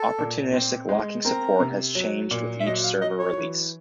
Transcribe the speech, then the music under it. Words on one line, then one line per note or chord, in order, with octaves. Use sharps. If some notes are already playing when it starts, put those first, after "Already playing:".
Opportunistic locking support has changed with each server release.
Already playing: A4
A#2
C4
G#3
C4 A#4
C3
F#3
A#2
E5
F#3 D#5
F5
F#3 D#5
C#5
E3